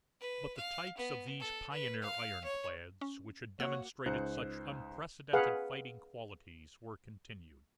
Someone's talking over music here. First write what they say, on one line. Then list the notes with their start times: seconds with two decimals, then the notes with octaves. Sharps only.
But the types of these pioneer ironclads, which had demonstrated such unprecedented fighting qualities, were continued.
0.20 B4
0.57 F5
0.97 B3
1.40 A4
1.71 B4
2.02 F5
2.44 C#5
3.01 C#4
3.60 A#3 F#4 C#5 E6
4.06 C#2 D#4 C5 F#6 C#7
5.33 G#4 B4 F5 F#5